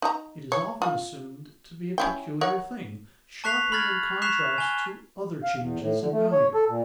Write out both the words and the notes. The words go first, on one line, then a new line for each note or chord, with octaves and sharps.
It is often assumed to be a peculiar thing, sharply in contrast to other changes in value.
D#4 A#5
C#5
F4
C#4 E4 G5
A#4 C#5 F#5
A5 C#6 F#6 B6 C7 F7
B5 F6 G#6 A6
C#6 F#6 B6 C7 E7 F7
G#5 G7
F5
E2
A2
D3
A3
C#5
A4
A#2